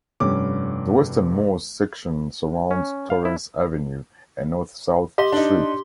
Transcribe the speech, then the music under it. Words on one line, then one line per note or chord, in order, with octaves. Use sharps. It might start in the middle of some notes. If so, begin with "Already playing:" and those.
The westernmost section surrounds Torrence Avenue, a north-south street.
F1 G2 C#4 D6
C#4
F5
E4
G4 D#5 C6 G7
D4 D#4